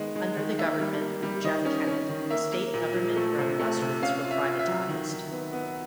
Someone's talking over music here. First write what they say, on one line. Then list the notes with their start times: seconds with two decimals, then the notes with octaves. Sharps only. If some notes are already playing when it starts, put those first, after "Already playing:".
Under the government of Jeff Kennett, the state government-run bus routes were privatised.
Already playing: D#3 G#3 B3
0.16 G#3
0.37 D#3
0.59 A#3 E5
0.80 G3
1.01 A#3
1.23 G3
1.44 D#3 D#5
1.65 C#4
1.87 C#4
2.09 D#3
2.30 A#3 E5
2.52 A#3
2.74 A#2
2.95 F3
3.16 A3
3.38 C3
3.59 A3
3.81 C3
4.02 C#4 F5
4.24 F4
4.31 E5
4.45 F4
4.59 E5
4.67 F#3
4.88 D#3
5.10 D#3
5.31 B3
5.53 B3